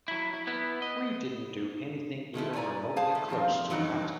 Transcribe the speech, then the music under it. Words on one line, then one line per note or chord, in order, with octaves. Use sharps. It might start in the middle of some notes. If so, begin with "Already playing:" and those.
We didn't do anything even remotely close to that.
F#3 E4
E4
B3 E4
D#5
D#3 G#3 A3 E4
A#2 C#5 D5 G#5 A#5
G#4 C5 F5 A5
A3
A#2 F3 C4 F4
G2 E3 F#3 B3 D#4